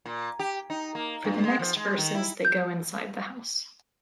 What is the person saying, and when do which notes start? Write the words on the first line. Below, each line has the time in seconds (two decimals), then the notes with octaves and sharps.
For the next verses they go inside the house.
0.06 A#2
0.39 G4
0.70 D#4
0.95 A#3
1.24 G2
1.44 G#3
1.59 F3
1.77 G#3
1.97 D#3
2.15 E4
2.45 G6